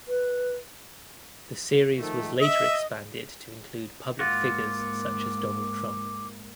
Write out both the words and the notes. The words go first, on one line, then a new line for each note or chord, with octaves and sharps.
The series was later expanded to include public figures such as Donald Trump.
B4
D#3 F3 A3
D#5 E5
G#2 A#3 F4 F#4 D6